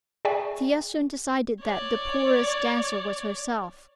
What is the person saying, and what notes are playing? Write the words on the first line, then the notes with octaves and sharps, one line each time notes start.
Thea soon decided that the poorest dancer was herself.
G#4 D5 E5 G5 G#5 C#6
C#5 D5